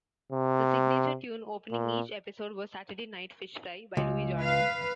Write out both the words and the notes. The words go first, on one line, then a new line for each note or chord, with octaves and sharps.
The signature tune opening each episode was "Saturday Night Fish Fry" by Louis Jordan.
C3
A#2
C#2
B4 F5